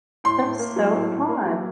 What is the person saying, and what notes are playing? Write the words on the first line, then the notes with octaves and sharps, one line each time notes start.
That's so odd.
A2 C6
A2
A#3
F#3
A2
A2
A#3
F#3